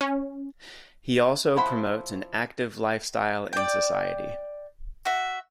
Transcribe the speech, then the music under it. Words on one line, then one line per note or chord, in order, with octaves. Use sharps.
He also promotes an active lifestyle in society.
C#4
F3 E4 C5 F#5 B5
D5 G5
F#4 E5